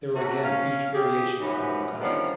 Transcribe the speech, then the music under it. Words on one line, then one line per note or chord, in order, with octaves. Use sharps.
There were again huge variations among countries.
A3 A#3 C#4 F#4
C#4 F5
G4 G#4
F#2 E3 F3 C#4 D#4 G4
D3 D#3 F3 G3 B3 C#4